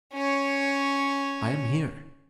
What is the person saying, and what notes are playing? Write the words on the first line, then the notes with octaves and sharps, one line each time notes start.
I am here.'
C#4 C#5